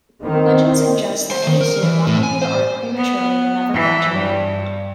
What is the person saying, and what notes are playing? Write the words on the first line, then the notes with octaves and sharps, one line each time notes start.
Legend suggests that any student walking through the arch prematurely will never graduate.
D#3 C4
C5
D#3
A#4
E3
A2
G#5
C5
B3
E3
G2